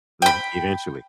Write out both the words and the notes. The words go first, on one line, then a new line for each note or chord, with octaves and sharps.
Mhm. Eventually.
G5 B5